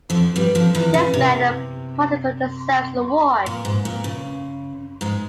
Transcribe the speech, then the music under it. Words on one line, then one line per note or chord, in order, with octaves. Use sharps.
This man in particular deserves an award.
F2 F3
G2 G3
F2 F3
E2 E3
C#3
C3
A#2
G#2
A#2
C#3
G#2 G#3